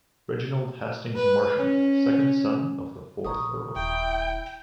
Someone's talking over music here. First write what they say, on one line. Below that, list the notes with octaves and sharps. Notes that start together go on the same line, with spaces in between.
Reginald Hastings Marsham, second son of the fourth Earl.
B4
C#4
A#1 A#5 C#6 D#6
D#1 E4 G5